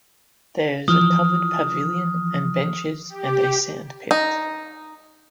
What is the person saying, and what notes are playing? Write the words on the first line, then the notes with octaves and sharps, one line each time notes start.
There is a covered pavilion and benches and a sand pit.
E3 F3 D#6 F6
G4
D#4